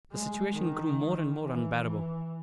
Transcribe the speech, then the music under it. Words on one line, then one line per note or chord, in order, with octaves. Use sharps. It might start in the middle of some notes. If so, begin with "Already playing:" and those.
The situation grew more and more unbearable.
G#3
D#3
E3